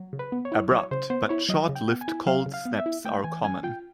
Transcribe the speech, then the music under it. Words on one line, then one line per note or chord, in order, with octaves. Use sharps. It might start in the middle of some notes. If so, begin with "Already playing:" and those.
Abrupt but short-lived cold snaps are common.
Already playing: F#3
C#3
B4
B3
C#5
E4
F#3 C#5
C#3 C5
B3 C5
E4 C#5
F#3 D#5
C#3
G5
B3
G#5
E4
F#3 F5
C#3
F5
B3
E5
E4
A3 G5
E3 G#5
C#4 G#5
F4 G5